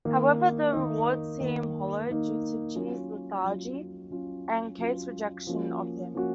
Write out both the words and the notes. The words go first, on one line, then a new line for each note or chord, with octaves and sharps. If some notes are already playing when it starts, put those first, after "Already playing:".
However, the rewards seem hollow due to G's lethargy and Kate's rejection of him.
D#3 A#3 D#4
D#3 A#3 D#4
D#3 A#3 D#4
D#3 A#3 D#4
F#3 C#4 F4
F#3 C#4 F4
F#3 C#4 F4
F#3 C#4 F4
F3 A#3 C#4 F#4
F3 A#3 C#4 F#4